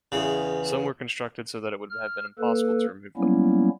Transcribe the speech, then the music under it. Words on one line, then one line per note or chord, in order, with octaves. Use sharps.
Some were constructed so that it would have been impossible to remove them.
E2 C#3
F6
A#3 A4 B4
F#3 G3 A#3 B3 C#4 E4